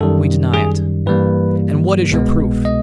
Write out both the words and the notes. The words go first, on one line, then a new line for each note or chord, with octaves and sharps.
We deny it; and what is your proof'?
F#2 D#3 G3 A4
G#4
G2 E3 G3 A#3 B4
C2 B2 G#3 B3
D#5